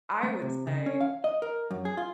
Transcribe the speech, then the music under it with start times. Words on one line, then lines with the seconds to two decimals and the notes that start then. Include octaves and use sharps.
I would say
0.23 A3
0.42 C3
0.67 C#3
0.86 C#4
1.01 F5
1.24 D#5
1.42 A#4
1.71 F#2
1.85 G#4
1.97 F4